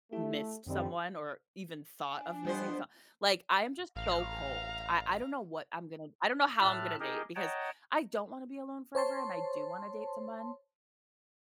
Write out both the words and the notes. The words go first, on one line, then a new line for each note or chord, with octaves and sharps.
missed someone or even thought of missing some like I'm just so cold. I I don't know what I'm gonna I don't know how I'm gonna date, because I don't wanna be alone forever and I do wanna date someone,
A3 E4 G4
F#2 D3 D#3 G3 C4 D#5
D4 G#5
F2 G3 B3 C5
A1 F5 A#5
A2 E5 A5 F6 F#6
D#4 G4 G#4 A#4 D#5
C#5 D#5 F#5 G5 A5 A#5
C5 C#5 A5 C6